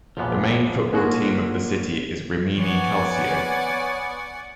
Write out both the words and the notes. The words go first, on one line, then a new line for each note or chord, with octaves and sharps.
The main football team of the city is Rimini Calcio.
B1 E2 A#2 F3 B3
G1 G#3 A#3 D4 F4 F#4
F3 B3 C#5 D5 F#5 G#5